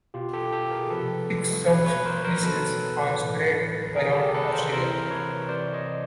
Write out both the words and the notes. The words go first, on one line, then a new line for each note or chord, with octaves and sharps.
Six subspecies are spread around Australia.
B2 F4 G4
G4 A4
G4 A4
G#4 A#4
C3 F3 A4 B4
B2 B4 C#5
B4 C#5
A#4 C5
A#4 C5
B2 A4 B4
A2 E3
C3 D#3 G#4 A#4
G4 A4
A4 B4
A#4 C5
C3 E3 A#4 C5
B4 C#5
C3 E3 C5 D5
C#5 D#5